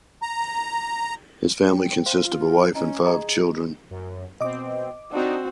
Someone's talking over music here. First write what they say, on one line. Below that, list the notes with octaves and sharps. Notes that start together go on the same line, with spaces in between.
His family consisted of a wife and five children.
A#5
G5
C5 F5 C6
F4
C#4 E4 D#5 A#5
G4 G#4 D#5 A#5
F#2
B2 C4 D#5 D6
C4 D4 D#4 F#4